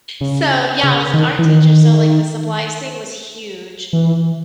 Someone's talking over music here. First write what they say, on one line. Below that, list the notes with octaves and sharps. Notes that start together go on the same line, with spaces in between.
So, yeah, I was an art teacher, so, like, the supplies thing was huge
C#3
C#3
D#3
E3
D#3
E3